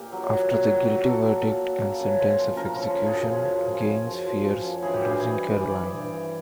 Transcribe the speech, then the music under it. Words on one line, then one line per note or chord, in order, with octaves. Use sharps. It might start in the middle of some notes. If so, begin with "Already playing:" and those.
After the guilty verdict and sentence of execution, Gaines fears losing Caroline.
Already playing: A#2 G4
F#3
A#2
F#3
F#3
F#3
F#3 A4
A#2
A#2
F#3
C#3
F#2
F3
F3
C#3 A#4
F3
A4
F#2
G#4
F#2
F3
F3
C#3
F#2
F3
F3
F3
F#2
E3 G#4
G4
G2 G#4
E3
G2
E3 D5
E3
G2
E3